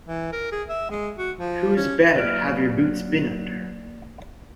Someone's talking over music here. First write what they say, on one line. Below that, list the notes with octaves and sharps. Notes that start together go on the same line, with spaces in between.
Whose Bed Have Your Boots Been Under?
E3
A#4
G#4
E5
G#3
F#4
F3
C#4
F#3 A#3 B4 D5 F6 D7